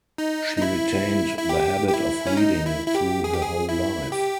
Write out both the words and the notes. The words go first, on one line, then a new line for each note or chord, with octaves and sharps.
She retained the habit of reading through her whole life.
D#4
D#4
E4
E4
G4
G4
E4
C#4
D#4
E4
E4
G4
G#4
G4
G#4
E4
G4